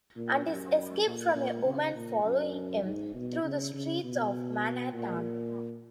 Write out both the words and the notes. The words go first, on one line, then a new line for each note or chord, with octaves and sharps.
And his escape from a women following him through the streets of Manhattan.
A#2
F#2
A#2
A#2
C#3
A#2
F#2
G#2
B2
C#3
C#3
B2
A#2